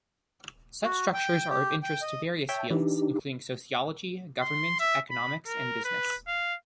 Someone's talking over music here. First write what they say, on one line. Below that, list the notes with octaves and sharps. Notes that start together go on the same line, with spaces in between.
Such structures are of interest to various fields, including sociology, government, economics, and business.
F#4
G5
G4
G5
D#5
C#5 E5 G5 A5
E3 D4 D#4 G4
C6
E5
B5
A#4
B4
F5